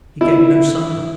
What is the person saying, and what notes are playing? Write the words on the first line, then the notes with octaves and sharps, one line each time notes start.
He gave no sign.
E4